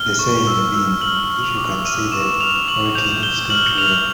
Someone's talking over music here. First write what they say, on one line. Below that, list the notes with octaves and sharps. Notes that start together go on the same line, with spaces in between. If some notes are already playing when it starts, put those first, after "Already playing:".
The saying being, If you can see the Wrekin, it's going to rain.
Already playing: F6 G7
C#6
E6
E6
F6 F#7
F6
F7
D6
F6 D#7
C#6 E7
F6 F7
C#6 F#7
G6 F7
G6 G7
F6 F#7
F6 F7